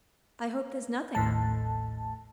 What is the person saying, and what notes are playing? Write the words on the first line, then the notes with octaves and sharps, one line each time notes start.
I hope there's nothing up.
A1 D#2 A2 A5